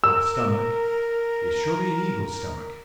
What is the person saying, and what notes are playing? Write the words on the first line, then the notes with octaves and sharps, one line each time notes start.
My stomach--is surely an eagle's stomach?
A#4 E6